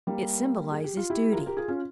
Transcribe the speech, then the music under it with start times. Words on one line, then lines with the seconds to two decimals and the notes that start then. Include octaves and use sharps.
It symbolizes duty.
0.07 G3 A#3
0.71 G#4
0.84 G4
0.97 F4
1.10 E4 G4
1.32 A#4
1.35 F4 G#4
1.46 G4 A#4
1.57 F4 G#4
1.68 C#4 F4